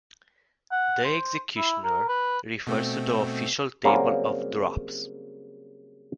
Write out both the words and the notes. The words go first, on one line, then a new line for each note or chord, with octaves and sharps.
The executioner refers to the Official Table of Drops.
F#5
C5
E4
A#4
B4
B2 A3 C4
C#3 F#3 G3 A#3 C4